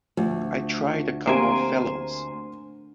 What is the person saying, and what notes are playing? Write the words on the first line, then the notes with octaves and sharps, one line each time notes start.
I tried a couple of fellows.
D2 F3
A#3 C4 G4 A#4 C5 G#5 A#5 D7